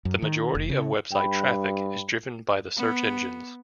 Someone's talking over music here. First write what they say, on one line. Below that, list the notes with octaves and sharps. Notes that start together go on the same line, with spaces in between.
The majority of website traffic is driven by the search engines.
F#2
D#3
F1
C#3
G2 G5 B5
B3